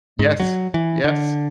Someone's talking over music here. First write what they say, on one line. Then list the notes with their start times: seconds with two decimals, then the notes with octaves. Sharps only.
Yes. Yes.
0.19 G#2
0.40 F#3
0.74 E3
1.04 D3